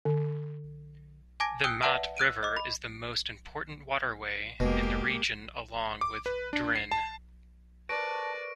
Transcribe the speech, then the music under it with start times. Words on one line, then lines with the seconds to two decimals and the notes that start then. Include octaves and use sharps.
The Mat river is the most important waterway in the region along with Drin.
0.05 D3
1.40 G#5 A5 D6 G#6 A#6 D7
1.64 G5 D#6 E6 F#6 G6 G7
1.82 B4 D5 E5 F#5 A5 D7
2.17 E6 F#6 D7 D#7
2.43 D#5 D6
2.57 B5
4.60 F1 B2 G#3 A#3 G4
6.01 D6
6.26 B4
6.53 D4
6.75 C7
6.91 A5
7.89 A#4 B4 D5 A5 C#6 A#6 D7